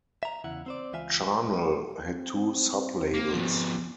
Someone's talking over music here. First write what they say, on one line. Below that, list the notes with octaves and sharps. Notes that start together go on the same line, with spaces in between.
Charnel had two sub-labels.
E5 A#5
E2 C#3 E4 F#5
C4 C5 D5
C#2 E3 F4 E5 F5 G#5
C4
A#3
F3 B3